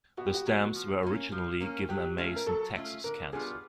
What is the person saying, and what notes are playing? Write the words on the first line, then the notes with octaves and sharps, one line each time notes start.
The stamps were originally given a Mason, Texas cancel.
B2 F#4
G4
F#4
F#3 B3
F3
A#3 C#4
F3
A#3 C#4
F#3 G4
A3 C#4 F4
A#4
F#3 A4
A3 C#4 F4
D3 A#4
G3 B3 D4 F4 G#4